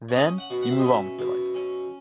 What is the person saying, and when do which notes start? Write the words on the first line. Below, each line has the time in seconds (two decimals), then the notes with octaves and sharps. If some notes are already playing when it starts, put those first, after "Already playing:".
Then, you move on with your life.
0.09 C#5
0.15 C#4 D#5
0.38 F#5
0.50 B2
0.61 F#5
0.71 E5
0.78 D#5
0.84 C#4 E5
1.19 B2
1.54 C#4